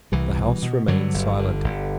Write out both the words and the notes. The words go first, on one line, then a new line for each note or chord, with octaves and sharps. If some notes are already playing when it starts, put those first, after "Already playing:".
The house remained silent.
C2 E3 G3
B2
B2
G2 D3 F#3
G1
D3
G1